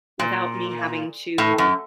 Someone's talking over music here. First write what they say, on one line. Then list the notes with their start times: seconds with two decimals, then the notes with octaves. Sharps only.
without me having to,
0.20 A#2
1.38 A2
1.58 F#2